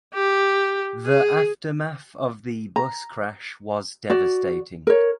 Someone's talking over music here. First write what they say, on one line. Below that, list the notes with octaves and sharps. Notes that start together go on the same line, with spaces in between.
The aftermath of the bus crash was devastating.
G4
G#4
A#5
F#4 D5
A#4 C#5